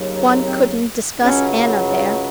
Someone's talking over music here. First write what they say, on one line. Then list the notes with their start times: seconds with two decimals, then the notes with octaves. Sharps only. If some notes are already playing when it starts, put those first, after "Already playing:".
One couldn't discuss Anna there.
Already playing: D#2 C#3 F#3
0.44 C4
1.21 C#2 C#3 F#3 C#4